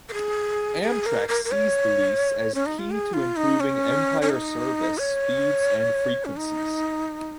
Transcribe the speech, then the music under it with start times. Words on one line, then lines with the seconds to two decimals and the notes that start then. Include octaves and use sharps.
Amtrak sees the lease as key to improving "Empire Service" speeds and frequencies.
0.09 A#4
0.14 G#4
0.82 G#4
1.06 A#4
1.29 A#4
1.45 A#4
1.51 C#5
2.55 C#4
2.66 D#4
2.79 F4
2.91 G#4
3.13 F4
3.36 D#4
3.60 C#4
4.22 C#4
4.29 D#4
4.98 C#5
6.25 C#4
6.37 D#4